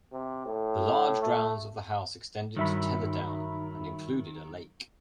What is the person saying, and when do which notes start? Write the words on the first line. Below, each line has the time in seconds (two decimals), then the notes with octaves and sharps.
The large grounds of the house extended to Tetherdown and included a lake.
0.12 C3
0.45 A2
1.21 A3
2.57 G2 D#3 F#3 E5 B5